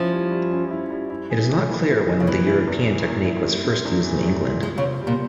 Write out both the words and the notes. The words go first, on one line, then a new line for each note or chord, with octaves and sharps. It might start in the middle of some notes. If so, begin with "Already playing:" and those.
It is not clear when the European technique was first used in England.
Already playing: F3 C#4 E4
G3
G3
C#4
E4
G3
E4
G#4
E3
A#3
E4
G#4
C#3
E3 A#3
E4
E2
E3
A#3
E4
G3
C4
E2
E3
G3
C4
G#3 F4
C#3
C5
G3
A#2